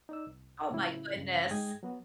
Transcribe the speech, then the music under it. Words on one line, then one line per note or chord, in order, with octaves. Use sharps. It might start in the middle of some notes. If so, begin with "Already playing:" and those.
Oh my goodness.
D#4 D5 E6
C2
A2 C#3 F#3 E4
G2 C#3
G#2 G#3 G#4 G5 D#6 G#6
F#3 B3 F#4